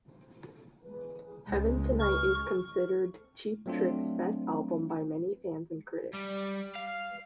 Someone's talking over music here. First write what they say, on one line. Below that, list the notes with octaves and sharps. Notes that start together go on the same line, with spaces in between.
"Heaven Tonight" is considered Cheap Trick's best album by many fans and critics.
C#2 G#3
C#6 F6
F#3 A3 C4 D4 F4
G3
F5